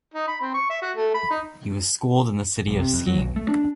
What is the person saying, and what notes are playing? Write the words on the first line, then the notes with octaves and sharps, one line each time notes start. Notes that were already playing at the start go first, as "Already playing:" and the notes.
He was schooled in the city of Skien.
D#4
B5
C4
C#6
E5
F#4
A3
B5
D#4
B1
C3
F2
F#3
B1
A3
D4